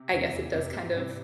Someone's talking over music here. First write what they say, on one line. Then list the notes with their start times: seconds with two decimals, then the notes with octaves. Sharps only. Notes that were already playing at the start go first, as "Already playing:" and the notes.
I guess it does kind of
Already playing: C3
0.13 E2 E3 G#3 C#4 E4
0.33 E2
0.53 F2 C3
0.73 G#2
0.93 G#2 G3 C4 E4